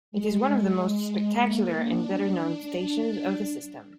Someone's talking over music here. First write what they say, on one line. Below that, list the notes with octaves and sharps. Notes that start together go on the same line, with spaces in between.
It is one of the most spectacular and better-known stations of the system.
G#3
G#3
A#3
D4